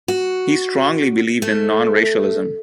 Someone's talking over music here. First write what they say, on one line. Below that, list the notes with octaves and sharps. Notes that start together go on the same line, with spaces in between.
He strongly believed in non-racialism.
F#4
A3